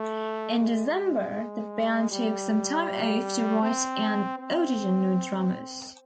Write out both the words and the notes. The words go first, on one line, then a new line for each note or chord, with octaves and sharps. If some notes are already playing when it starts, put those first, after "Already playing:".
In December, the band took some time off to write and audition new drummers.
Already playing: A3
G#3
G3
C4
C4